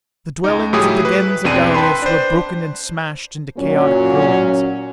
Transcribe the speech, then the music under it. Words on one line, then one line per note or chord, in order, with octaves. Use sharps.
The dwellings of the Gens of Dalis were broken and smashed into chaotic ruins.
C#2 D#4
A2 F#3 E4 G4 G#4 D#6
B4
B1 E2 C4 D4 C5 D#7
B4 G5 A5 B5 C6
D4 C5
A#2 F#3 C#4